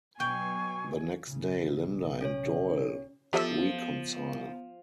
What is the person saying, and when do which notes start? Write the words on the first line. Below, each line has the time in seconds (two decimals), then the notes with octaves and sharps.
The next day, Linda and Doyle reconcile.
0.20 B2 F#3 G5 G#5 C#6
1.28 B1 G#2 C#3
2.21 C#4 C#5
3.33 F3 B3 G4 A4 E5